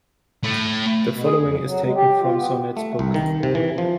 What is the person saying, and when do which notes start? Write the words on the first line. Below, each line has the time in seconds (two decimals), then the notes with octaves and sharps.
The following is taken from Sornette's book.
0.44 A2
1.11 B2
1.23 G#4
1.38 F2
1.64 F#3
1.83 G#3
1.95 G4
2.20 F4
2.35 B3
2.77 A3
2.99 C2
3.14 D#3
3.43 C3
3.55 E3
3.78 F3